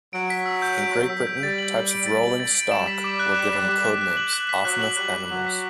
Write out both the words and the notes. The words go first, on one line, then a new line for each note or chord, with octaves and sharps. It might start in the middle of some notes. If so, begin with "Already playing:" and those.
In Great Britain, types of rolling stock were given code names, often of animals.
F#3 D7
B6
E6
G6
D7
B6
E6
G6
G3 A6
F#7
A6
D7
A6
F#7
A6
D7
G3 E7
B6
D6
F#6
E7
B6
D6
F#6
F#6
F#7
F#6
B6
F#3 F#6
F#7
G3 F#6
B6
F#3 F#7
B6